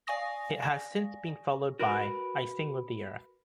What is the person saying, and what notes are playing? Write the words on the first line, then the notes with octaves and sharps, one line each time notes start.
It has since been followed by "I Sing with the Earth".
D5 F5 G#5 C#6 D#6 A#6
F#4 A#4 B4